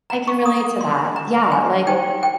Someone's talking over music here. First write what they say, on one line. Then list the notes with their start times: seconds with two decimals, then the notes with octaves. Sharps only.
I can relate to that. Yeah, like,
0.10 A#5
0.28 C#6
0.46 D#6
0.81 C6
1.16 A#5
1.52 G#5
1.87 D#4 G4 C5 G5
2.23 G5